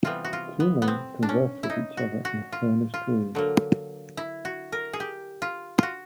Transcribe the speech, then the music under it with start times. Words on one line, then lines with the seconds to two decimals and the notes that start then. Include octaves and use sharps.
Two men converse with each other in a furnished room.
0.04 C3 E3 G3 B3 F4
0.24 F#4
0.33 F4
0.60 B3
0.82 B3
0.88 C4
1.23 D4
1.29 C#4
1.63 E4
1.70 D#4
1.97 F#4
2.25 F#4
2.52 F4
2.94 F4
3.35 D3 F#3 A#3
4.17 E4
4.45 F#4
4.72 A#4
4.93 G#4
5.00 G4
5.42 F4
5.78 F4 F#4